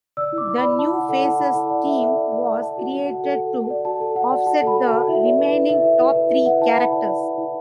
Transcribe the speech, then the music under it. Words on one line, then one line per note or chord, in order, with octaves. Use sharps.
The New Faces Team was created to offset the remaining top three characters.
D5 E6
E4
D6
E4
B5
D5
D5 A5
D5 F#5
A4 F#5
E4 A5
E4 B5
F#5
A4 A5
D5 F#5
A4 E5
A4 E5
D5
D5
D5
A4 A5
F#4 F#5
F#4
F#4 F#5
A4
A4
A4
D5
F#4 A5
A4
F#4 F#5
D5
F#4 A5
A4
B5
F#4
A5
A4
E4 E5
D5
B4
E4
E4 E5
B4
E4
B4
E4 E5
B4 F#5
E4 A5
E4 B5
D5 A5
D5
E4
E4